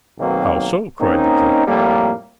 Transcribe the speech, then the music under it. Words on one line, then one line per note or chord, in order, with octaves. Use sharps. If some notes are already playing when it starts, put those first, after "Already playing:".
"How so?" cried the king.
B1 B2 D#3 F#3 A#3 C4
A#3 C4 C#4 D#4
F2 A2 G3 A#3